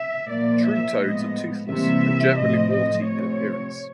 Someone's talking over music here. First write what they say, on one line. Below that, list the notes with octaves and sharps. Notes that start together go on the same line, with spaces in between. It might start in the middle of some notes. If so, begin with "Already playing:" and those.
True toads are toothless and generally warty in appearance.
Already playing: E5
A#2 F3 A#3 D5
E5
A2 F3 G#3 B3 D#5
C3 E3 G3 A#3 E5
A2 F3 A3 C4 D#5
D#5
C3 F3 A3 C4 C#5